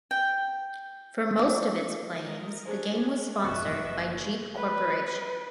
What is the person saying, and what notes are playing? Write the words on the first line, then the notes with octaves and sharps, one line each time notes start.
For most of its playings, the game was sponsored by Jeep Corporation.
G5
G#3 A#4 D#5
C#4 D4 G#4 C5
E1 A1 F#2 B4 D#5 E5 C#6 F#6
F#1
B4